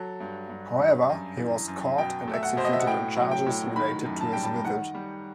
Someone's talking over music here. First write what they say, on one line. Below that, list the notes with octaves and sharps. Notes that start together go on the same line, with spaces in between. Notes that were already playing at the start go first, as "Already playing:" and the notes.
However, he was caught and executed on charges related to his visit.
Already playing: F#3 A4
G2
G2
G2
F#2
E3
F#2
B2 G5
A3
E5
F#5
B2 C5
D#5
E5
F#5
A2 G5
F#3
G5
A2
D#3 B5
F#2
A5
G3 G5
A5
D#3 F#5
G3